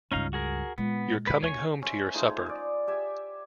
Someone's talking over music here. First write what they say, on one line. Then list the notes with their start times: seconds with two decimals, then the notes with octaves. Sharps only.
You're coming home to your supper.
0.12 C#2 G2 C#4 D#4 F5
0.33 F#4 G#4 A#4
0.78 A#2 G#3 B3
1.27 B4
1.43 D#2 C#5 G#5 C#6
1.82 C#4 C5 E5
2.14 G#3 A3 D#4 F4
2.29 G#4
2.49 D5
2.87 G4 E5 G#5